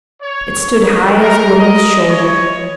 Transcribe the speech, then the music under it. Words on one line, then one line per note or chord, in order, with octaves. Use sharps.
It stood high as a woman's shoulder.
C#5
D#4
A#4
D#5
C#5